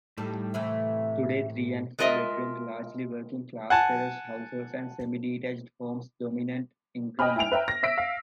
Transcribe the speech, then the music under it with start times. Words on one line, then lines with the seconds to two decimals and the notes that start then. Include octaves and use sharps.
Today three and four-bedroomed, largely working class terraced houses and semi-detached homes dominate Egremont.
0.18 A2 G3 D#4 A4
0.54 C3 E3 A3 E5
1.99 G#3 F4 A#4 D#5 E5
3.70 F#5 G#5 A5
7.19 D#5 G5 G#5 B5 F6
7.36 E4 G5 G#5 D7 F7
7.52 B4 E5 G5 A#5
7.68 A#6
7.83 E5 E6 B6 D7
7.98 F5